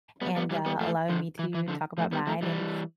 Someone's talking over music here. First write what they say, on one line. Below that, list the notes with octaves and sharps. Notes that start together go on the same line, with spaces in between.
and, uh, allowing me to talk about mine, and,
G3 B3
G3 B3
E3 G3
G3 B3
F3 A3
D3 F3
E3
E3
D3 F3
F3 A3
G3 B3
F3 A3
E3 G3